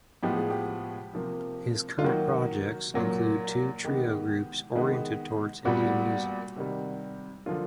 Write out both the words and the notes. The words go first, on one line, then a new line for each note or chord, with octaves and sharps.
His current projects include two trio groups oriented towards Indian music.
A2 F3 G#3 B3 G4
G#4
G4
C3 F3 A#3
F4
D#3 F#3 A#3 F#4
A#2 F#3 A#3
D#3 G#3 B3 G4
D#3 G#3 B3
A#2 G3 B3 F#4
C3 D#3 G3
D3 F3 A#3 F4